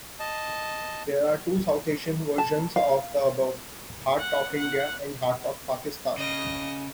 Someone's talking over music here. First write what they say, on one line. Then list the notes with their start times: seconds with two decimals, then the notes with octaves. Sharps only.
There are two South Asian versions of the above: "Hardtalk India" and "Hardtalk Pakistan".
0.20 D#5 A5
2.38 A5
2.76 F5
4.18 F#5
4.56 F#5
6.18 C#3 D#5